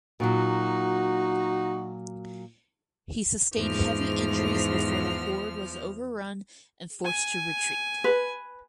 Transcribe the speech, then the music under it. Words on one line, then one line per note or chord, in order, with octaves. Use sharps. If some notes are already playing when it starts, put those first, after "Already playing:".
He sustained heavy injuries before the Horde was overrun and forced to retreat.
A#2 F#3 D#4 F#4
E2 G#2 F3 F6
G#5
B4